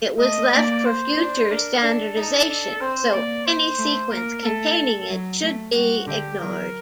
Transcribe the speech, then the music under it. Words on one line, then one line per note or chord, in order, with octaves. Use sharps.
It was left for future standardization, so any sequence containing it should be ignored.
A3 D#5
A#3 D5
C5
D4
D4 A#4
D4 A4
D#4
D4
C4 C5
A#3 D5
C5
A3
A#3 A#4
A3 A4
F#3
A3
G3 F#4
D3 G4
F#3 A#4